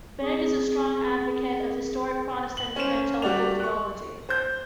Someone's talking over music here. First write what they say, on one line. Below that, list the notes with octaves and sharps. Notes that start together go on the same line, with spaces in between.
Begg is a strong advocate of historic Protestant Evangelical theology.
C4 G#4 D#6
F#7
C#4 C5 E7
G3 F#4 D5 F7
C#6 F#6
C5 G6